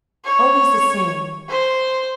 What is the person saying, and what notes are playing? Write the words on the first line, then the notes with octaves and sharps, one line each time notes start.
Always the same.
C#5
C5